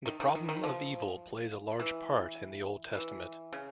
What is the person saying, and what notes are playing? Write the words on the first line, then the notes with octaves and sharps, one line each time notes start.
The problem of evil plays a large part in the Old Testament.
D#3
D#3
D#3
D#3
F3
E3
E3
C#3